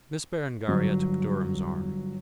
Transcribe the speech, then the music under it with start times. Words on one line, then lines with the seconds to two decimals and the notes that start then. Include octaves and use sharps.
Miss Berengaria took Durham's arm.
0.68 G1 F#3